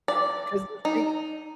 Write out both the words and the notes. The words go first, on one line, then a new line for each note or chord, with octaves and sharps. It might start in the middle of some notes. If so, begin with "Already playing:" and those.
'Cause the thing
D5
D#4